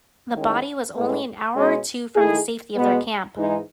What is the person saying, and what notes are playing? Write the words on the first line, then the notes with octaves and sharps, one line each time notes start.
The body was only an hour or two from the safety of their camp.
D#3 G#3 C#4 E4
A2 G#3 B3
B2 G#3 C#4
D#3 A3 E4 G#4
B2 G#3 B3
G#2 E3 G#3 D#4